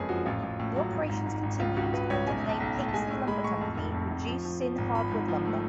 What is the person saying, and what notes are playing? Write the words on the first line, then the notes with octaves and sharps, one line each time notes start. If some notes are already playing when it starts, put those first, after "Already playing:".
The operations continued, under the name Pakesley Lumber Company, producing hardwood lumber.
Already playing: F#1 F2 G#3 G#4 B4 C#5
F3 F#4
A1 F4
A1
A2
F#3
G#1
G#2
G#2
G#1
C#2 F4
C#2 F#4
C#2 B4
C#2 C#5
B1 G#5
B1 A5
B1
A2
A5
G#3 G#5
A2
G#3 B5
A2 C#6
F2
F1
F2
F1
F3
F3
F3
G#1
F3 B5
G#2
F3
A3